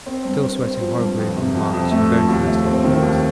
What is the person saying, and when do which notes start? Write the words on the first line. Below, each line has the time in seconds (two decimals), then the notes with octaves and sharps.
Still sweating horribly on the march and very thirsty at the halts.
0.06 C4
0.25 G2
0.44 C4
0.63 C4
0.81 F3
0.99 G2
1.18 F2
1.36 C3
1.54 F2
1.73 F2
1.91 A3
2.10 F3
2.29 D#2
2.47 A3
2.66 C4
2.84 D#3
3.03 D#2